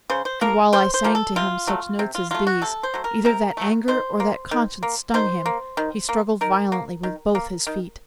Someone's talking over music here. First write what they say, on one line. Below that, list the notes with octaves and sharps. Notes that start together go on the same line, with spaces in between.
And while I sang to him such notes as these, Either that anger or that conscience stung him, He struggled violently with both his feet.
C#3 C5
C5
F3 A#3 A#4
C#3 C5
C5
F3 A#3
A4
C3 F4
F#3 A3
C3
F4
F#3 A3 F4
F#4
C3 A4
C5
F#3 A3
A#4
C3 A#4
F#3 A3
D#3 C5
A#3
D#3
A#3
D#3 C5
A#3
D#3
A#3
D#3 A#4
A#3
D#3
A#3
D#3